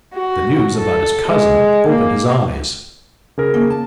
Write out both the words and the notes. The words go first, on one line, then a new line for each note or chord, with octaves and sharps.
The news about his cousin opened his eyes.
F#4
A4
G#3
A#3
C#3 G#4 A#4
A#3
A5